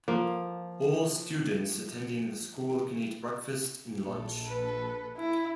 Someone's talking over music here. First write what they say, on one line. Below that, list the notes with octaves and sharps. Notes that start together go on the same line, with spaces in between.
All students attending the school can eat breakfast and lunch.
F3 A#3
A#1 A4
B4
E4